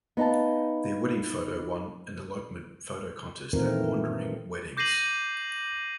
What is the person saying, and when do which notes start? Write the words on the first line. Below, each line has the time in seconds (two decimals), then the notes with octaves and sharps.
Their wedding photo won an elopement photo contest at Wandering Weddings.
0.17 B3 D#4 F5 A5
3.53 A#2 D#3 E3 A3 C4 A#4
4.77 D6 G6 A#6 C7 D#7 F#7